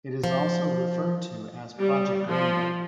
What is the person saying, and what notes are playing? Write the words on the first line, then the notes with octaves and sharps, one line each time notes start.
It is also referred to as Project Rainbow.
F3
G3
F3